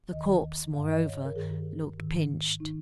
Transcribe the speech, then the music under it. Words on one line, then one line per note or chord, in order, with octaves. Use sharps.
The corpse, moreover, looked pinched.
D#2 D#3 D#5
G2 D#3 F5
D#5
C#5
C#5
A#4
G2 D#3 G#4
G4
G#2 D#3
D#3 D#4